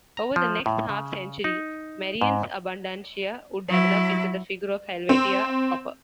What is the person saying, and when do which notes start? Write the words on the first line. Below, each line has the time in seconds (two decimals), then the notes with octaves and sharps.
Over the next half-century, Merian's "Abundantia" would develop into the figure of "Helvetia" proper.
0.17 A#5
0.36 F3
0.66 A2
0.89 C#3
1.44 D#4
2.21 G#2
3.67 F#3 E4
5.09 C4